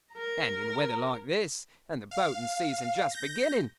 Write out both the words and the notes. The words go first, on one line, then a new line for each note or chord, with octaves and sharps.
And in weather like this, and the boating season just beginning!
A#4 A#5
F5
G6 A#6